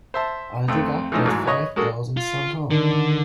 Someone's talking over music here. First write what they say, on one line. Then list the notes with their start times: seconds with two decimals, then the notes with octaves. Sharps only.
I'll dig up that five thousand somehow.
0.14 C5 E5 A5
0.68 F2 A3 C4
1.12 E3 F3 G#3 A3 C#4 D#4
1.25 A1 G#2 E3 F#3
1.47 B4 C#5 D#5 C#6
1.76 G#3 A#3 F#4 A4
2.17 F4
2.71 D3 D#3